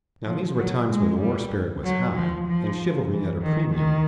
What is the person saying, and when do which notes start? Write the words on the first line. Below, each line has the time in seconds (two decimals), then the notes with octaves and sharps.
Now these were times when the war spirit was high, and chivalry at a premium.
0.25 F3
0.57 F#3
0.88 G#3
1.20 G3
1.83 F#3
2.15 F3
2.47 F3
3.11 E3
3.42 D#3
3.74 D#3